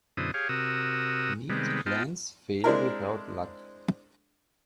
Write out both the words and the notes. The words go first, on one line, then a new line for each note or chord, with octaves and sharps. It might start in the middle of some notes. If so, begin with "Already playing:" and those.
Neat plans fail without luck.
F#2 B2 D3 E4 C5 D#6
G4 G#4 C#5 F5
C3 F#4 A#4 D#6 E6
C3 D#3 G3 G#3 B3
B3 F4 D#5 G5 A5
G#3 C4 D4 E4 A#4